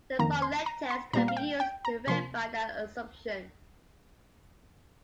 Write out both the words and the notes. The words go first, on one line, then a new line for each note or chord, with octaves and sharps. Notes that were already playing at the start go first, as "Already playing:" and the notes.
The Bartlett test can be used to verify that assumption.
F2 D#3 A#3 A#5
C6
A#5
C6
A#2 G3 A#3 A#5
F5
G5
G5
A#5
C3 F3 A#3 C6